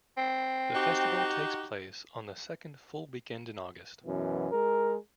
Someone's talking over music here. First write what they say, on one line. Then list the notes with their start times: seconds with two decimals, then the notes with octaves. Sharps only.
The festival takes place on the second full weekend in August.
0.18 C4
0.74 D#4 F#4 G4
4.04 F#2 B2 E3
4.52 G#3 A#4